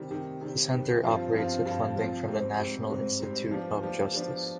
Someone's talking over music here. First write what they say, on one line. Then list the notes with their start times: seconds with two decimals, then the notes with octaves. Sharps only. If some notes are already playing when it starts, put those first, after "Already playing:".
The center operates with funding from the National Institute of Justice.
Already playing: C3 D#3 G3
0.11 C3 D#3 G3
0.41 C3 D#3 G3
0.73 C3 D#3 G3
1.03 G2 F3 C4 F4
1.34 G2 F3 C4 F4
1.65 G2 F3 C4 F4
1.96 G2 F3 C4 F4
2.27 G#2 G3 C4
2.59 G#2 G3 C4
2.89 G#2 G3 C4
3.20 G#2 G3 C4
3.51 F3 B3 D4 G4
3.82 F3 B3 D4 G4
4.14 F3 B3 D4 G4